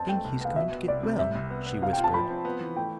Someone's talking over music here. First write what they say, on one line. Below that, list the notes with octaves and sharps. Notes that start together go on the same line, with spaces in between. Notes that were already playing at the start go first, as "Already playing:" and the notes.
"I think he's going to get well," she whispered.
Already playing: F2 C4 A5
A3 G5
C2
B3 F5
B2 E5
B3
C2 D5
C3
G3 E5
C2
B3
B3
C3 F5
G5
F4
A5
F3 B5
C4
B3
E3
A3 G5